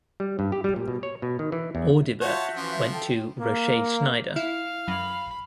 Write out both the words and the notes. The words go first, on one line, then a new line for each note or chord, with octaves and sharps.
Audibert went to Rochet-Schneider.
G3
G2
G4
G3
A#2
B2
C#5
B2
D#3
E3
E2
F4 F#4 C#5 E5 F#5 A5 G6
E3 F3 C#4
A4 G5
A#3
E4 F5
F#2 B5